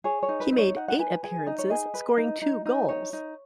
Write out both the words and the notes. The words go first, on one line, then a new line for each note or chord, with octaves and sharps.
He made eight appearances scoring two goals.
G#4 C#5
C#5
D#4
B4
D#4
C#5
D#4 F#5
F#5
B4 G#5
G#4 G#5
D#4 D#5
C#5
G#4 D#5
B4
D#4
D#4
D#4
D#4 C#5
D#4